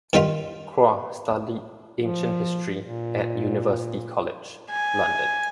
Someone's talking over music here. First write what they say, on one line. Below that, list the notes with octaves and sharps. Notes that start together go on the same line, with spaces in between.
Croix studied ancient history at University College, London.
D#3 G3 D#4 F4
F3
A#2
G#5